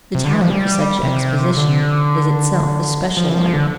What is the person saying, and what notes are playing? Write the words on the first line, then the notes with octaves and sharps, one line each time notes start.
The talent for such exposition is itself a special one.
C3
D3
E3
F3
G3
C3
D3
F3
E3
F3
D3